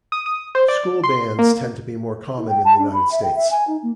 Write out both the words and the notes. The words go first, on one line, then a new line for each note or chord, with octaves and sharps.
School bands tend to be more common in the United States.
D#6
D#6
C5
D5
C6
A#3
E4
G5
A5
D4
B5
E5
G5
E5
G#5
D#4
A#3